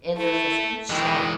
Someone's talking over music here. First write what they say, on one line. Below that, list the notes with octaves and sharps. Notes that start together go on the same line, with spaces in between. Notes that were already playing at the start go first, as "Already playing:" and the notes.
And there was this huge shelf
A3 E4
D#3 E3 G#3 G5